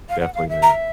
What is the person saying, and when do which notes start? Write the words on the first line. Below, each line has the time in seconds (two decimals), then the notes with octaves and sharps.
Definitely, man.
0.09 F5
0.20 F#5
0.34 F5
0.49 E5
0.63 A#5